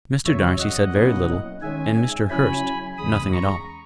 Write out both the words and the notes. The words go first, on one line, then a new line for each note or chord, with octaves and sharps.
Mr. Darcy said very little, and Mr. Hurst nothing at all.
E2 C#3 F#3 C#5 E5
D#5 F#5
B2 F#3 A#3 C#4 E4
D#3 G#3 C#4 E5 G#5
C#3 F#3 C#4 E4 G#5 B5
E2 C#3 G#3 B5 D#6
A#5 C#6